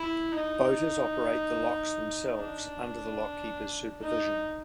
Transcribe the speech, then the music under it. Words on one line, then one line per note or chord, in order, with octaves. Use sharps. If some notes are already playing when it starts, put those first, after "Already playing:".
Boaters operate the locks themselves under the lock keeper's supervision.
Already playing: E4
D#4
D4
D#4